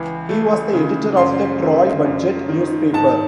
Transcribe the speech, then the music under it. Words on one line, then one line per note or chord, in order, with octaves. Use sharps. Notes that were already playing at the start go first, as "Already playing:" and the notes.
He was the editor of the "Troy Budget" newspaper.
Already playing: C#2 E3
A3
C#3
F#2 C6
A3
F#2
D#3
G#2 A5